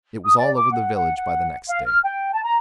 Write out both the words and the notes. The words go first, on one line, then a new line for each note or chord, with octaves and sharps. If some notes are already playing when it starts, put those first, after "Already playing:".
It was all over the village by the next day.
D#6
D5
D6
F#5
F#5
F#5
F5
F6
G5
A5
A#5